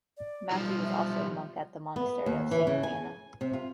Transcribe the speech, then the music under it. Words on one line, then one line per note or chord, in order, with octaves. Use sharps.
Matthew was also a monk at the Monastery of Saint Fana.
D5
B1 F3 G3 D#4
E5
B3
D#2
E3
C#3
G#5
C3
F4